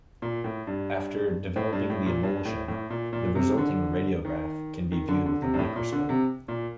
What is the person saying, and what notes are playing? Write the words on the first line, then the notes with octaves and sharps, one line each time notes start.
After developing the emulsion, the resulting radiograph can be viewed with a microscope.
A#2
A2
G2
A2
G2
A2
A#2
G2
A2
A2
A#2
A#2
C3
D#3
D3
D#3
D#3
D3
D3
C3
G2
A2
A#2
D3
C3
A#2